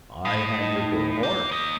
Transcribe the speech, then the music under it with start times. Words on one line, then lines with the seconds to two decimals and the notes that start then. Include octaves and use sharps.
"I had her for a horse."
0.25 A2 D#6
0.61 D#4
1.23 A#3 G6
1.51 A#3 D#5